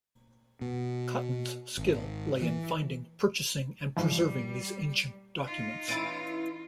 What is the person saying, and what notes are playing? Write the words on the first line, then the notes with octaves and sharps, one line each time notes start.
Cotton's skill lay in finding, purchasing and preserving these ancient documents.
B2
G#1
E3
G#2 E3 F3 G3
D#4 F4
E3 C#4 E4 A6 D7 D#7